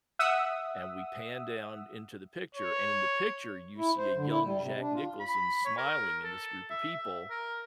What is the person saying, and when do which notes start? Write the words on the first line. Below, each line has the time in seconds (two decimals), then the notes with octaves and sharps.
and we pan down into the picture, and in the picture, you see a young Jack Nicholson smiling in this group of people-
0.19 E5 F#5 D#6 E6
2.55 C#5
3.78 E4
3.98 C5
4.15 D3
4.29 E4
4.45 G3
4.59 C3
4.81 D4
4.94 F4
5.20 B5
5.65 C#5
5.78 A#4
6.24 A4
6.70 E5
6.94 E5
7.30 A#4